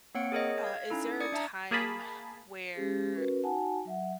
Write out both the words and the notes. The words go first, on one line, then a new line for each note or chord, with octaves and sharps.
uh, is there a time where,
A#3 C4 C#5 F#5 C#7 D7
G#4 A#4 C#5 D#5
F5 G#6
C#4 D#4 E4 A4
D5 D#6 G#6 C#7
D4 E5 A5 A#5
A#3 G#4 A5 B5
G#3 C#4 G4 G#4
C#4 F#4 A#4 B4
D#4 F#4 F#5 G#5 A5
F#3 E5 F#5